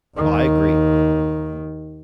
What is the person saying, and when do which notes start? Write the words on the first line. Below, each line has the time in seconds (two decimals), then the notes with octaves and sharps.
Oh, I agree.
0.17 D#2 D#3